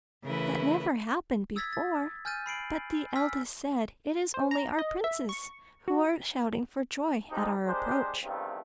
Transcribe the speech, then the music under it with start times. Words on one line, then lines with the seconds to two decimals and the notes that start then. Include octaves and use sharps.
That never happened before.' But the eldest said, 'It is only our princes, who are shouting for joy at our approach.'
0.24 C#3 E3 A3 E4 A#4 B4
1.56 D#6 E6 G#6 A6 B6
1.73 A6
2.25 G#5 F6 G6 A6 D#7
2.46 B5 C7 D7 F#7
3.16 G#5 E6 F6 B6
4.34 C5
4.51 A#5
4.79 D#5
5.04 E5
5.29 C#6
5.88 F#4
7.30 D2 C3 D4 D#4
7.66 G#3 D4 G4 A#4 C5
8.23 E2 G2 D#3 F3 A3 C4